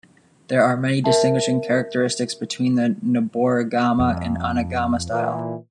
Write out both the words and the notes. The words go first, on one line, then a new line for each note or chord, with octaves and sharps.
There are many distinguishing characteristics between the noborigama and anagama style.
A#4 E5 A5
F2
A#2 E3